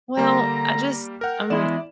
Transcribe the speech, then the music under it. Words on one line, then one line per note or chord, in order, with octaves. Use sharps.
"Well, I just I'm
D3 G3 A#3 A#5
A#4 F#5 G5 F6
E2 G#3 E4 D5 E7